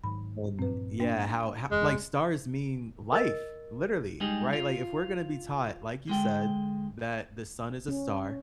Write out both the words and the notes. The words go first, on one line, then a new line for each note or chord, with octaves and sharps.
And yeah, how ho like, stars mean life, literally, right? Like, if we're gonna be taught- like you said- that the sun is a star,
G#2 D#3 F#3 B5
G2 A#2 F3 C4 B4
A#3 D4
F#1 E2 E3 G#3
A#4 D#5
G3 G#3 D4 D#4 G4 G#4
F4
D3 G#3 G5
C#4